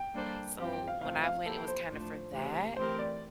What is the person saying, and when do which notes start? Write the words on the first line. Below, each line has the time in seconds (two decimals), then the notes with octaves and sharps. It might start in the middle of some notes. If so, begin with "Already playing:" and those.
So when I went, it was kinda for that.
Already playing: G5
0.14 G3 A#3 D4 A4 C5
0.58 G2 F3 C4 G4 F5
0.73 G5
0.88 F5
1.01 F2 C3 F3 A3 C4 F5
1.24 F5
1.46 F3 A#3 E4 G4 A4 C5
1.68 C5
1.90 A2 F3 A3 D4
2.33 D2 C3 E3
2.76 E3 A3 C4 G4 A#4 C5
2.99 D5